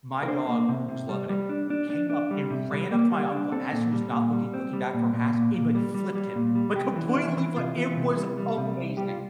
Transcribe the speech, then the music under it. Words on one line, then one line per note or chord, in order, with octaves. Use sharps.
my dog was loving it, came up and ran up to my uncle as he was not looking, looking back for a pass and, like, flipped him, like, completely flat, it was amazing.
A#4
D4 C5
A#3
C3
C3
G3
G3
D4
D4
D4
D4
G3
C3
G3
A#3
G3
D4
C4 A4
A#2
G3
A#2
G3
C4
G3
A#2
A#2
A#2
A#2
G3
G3
G3
A#2
G3
C2 G4
E3
D4
E3 E4
E3
C3 F4
E3
C3
G3
G3
C3
C2
G3 G4
F4